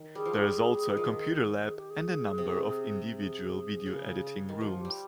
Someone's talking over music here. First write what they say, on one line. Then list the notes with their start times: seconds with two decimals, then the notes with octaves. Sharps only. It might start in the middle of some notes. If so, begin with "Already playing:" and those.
There is also a computer lab and a number of individual video editing rooms.
Already playing: D#3
0.15 G3 G#4
0.26 F3
0.33 G3
0.52 G3
0.90 D#3
0.97 F3
1.05 D#3
1.64 G#4
1.77 G4
1.90 G#4
2.38 C3
3.12 G#4
3.86 C#3
4.49 D#3
4.61 F3 G4
4.69 F4
4.79 G4
4.85 G3